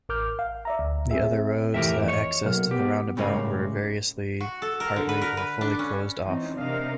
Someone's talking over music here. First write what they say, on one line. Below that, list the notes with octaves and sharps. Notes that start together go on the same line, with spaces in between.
The other roads that accessed the roundabout were variously partly or fully closed off.
A1 A#4 D6 F6 G6
F5
D5 E5 A#5
D2
C4 G#4 E5
F2 A2 E3 G4 A#4 E5
C#5 D#5
B1 A#3 F6
B3 G4
A2 C#3 G3 G#3 A#3
F#4
A4
A#4
D3
B4
A#4
B4
D4
C#4
E3 C4 C#4 D#4
C3 D4 A#4 D#5 F5